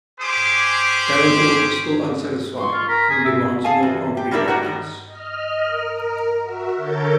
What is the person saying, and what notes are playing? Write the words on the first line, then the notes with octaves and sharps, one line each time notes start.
Davenport is still unsatisfied and demands more concrete evidence.
C#4 G4 G#4 C5 D6
C6 C#6
F4
A#4 B6
G#4
E5
G#4 A4 F5 G#5 A5
E2
G4
C#3 G3 D4 E4 A#4
F#4 G4 A#4 D5
A2 D#3 G3
D#5 F6
A#4
F#4 E5
D3 A4 A#4 C#5 G6 A6